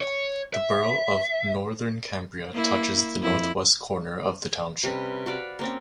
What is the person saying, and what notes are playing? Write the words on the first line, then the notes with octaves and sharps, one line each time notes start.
The borough of Northern Cambria touches the northwest corner of the township.
C#5
E5
A#3 E4
F2 E4
C3 G3 C#4 B4
F#4 D5 F5 B5
A#3 C4 C#4